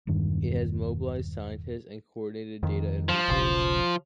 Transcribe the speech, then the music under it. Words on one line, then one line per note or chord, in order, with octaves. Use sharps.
It has mobilized scientists and coordinated data and research.
E1 G2 D#3
F2 D#3
F3
E1 B1 C#3